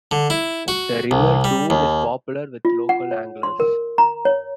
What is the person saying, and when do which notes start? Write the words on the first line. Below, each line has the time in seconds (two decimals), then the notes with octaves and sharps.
The River Doon is popular with local anglers.
0.11 D3
0.30 E4
0.68 F#4
1.11 C2
1.44 G3
1.70 D#2
2.65 F4
2.89 F#5
3.11 C#5
3.43 C6
3.60 A#4
3.98 A#5
4.25 C#5